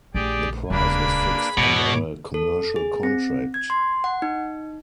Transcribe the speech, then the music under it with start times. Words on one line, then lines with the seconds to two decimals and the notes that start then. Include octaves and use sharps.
The price was fixed under a commercial contract.
0.14 A#1 A3 G4 G#4 D5
0.70 D#1 C#2 A#3 D4 G#4 B4 B5
1.57 G#2 B2 C#5 D6
2.34 A4
2.76 G#4
3.03 C4
3.54 G#6
3.70 C6
4.04 F#5
4.22 D#4